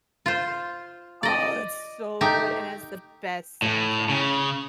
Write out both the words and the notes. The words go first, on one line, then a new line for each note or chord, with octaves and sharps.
Oh, it's so good and has the best soundtrack.
F4 C5
D5 D#5
A3 D#4 G4
A2
C#3